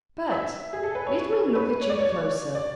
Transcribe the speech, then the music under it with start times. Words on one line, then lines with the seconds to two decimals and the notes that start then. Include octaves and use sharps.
But let me look at you closer.
0.32 E5
0.73 G#4
0.83 A4
0.95 B4
1.07 C#5
1.55 B4
1.81 C#5
1.90 D5
1.99 C#5
2.55 D5